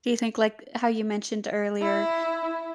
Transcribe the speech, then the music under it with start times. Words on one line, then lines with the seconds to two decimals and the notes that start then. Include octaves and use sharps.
Do you think like, how you mentioned earlier,
1.82 E4